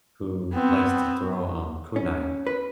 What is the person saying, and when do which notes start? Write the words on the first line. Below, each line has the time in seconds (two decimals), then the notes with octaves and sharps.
who likes to throw, um, kunai,
0.53 B3 C4
1.96 C#4
2.47 B4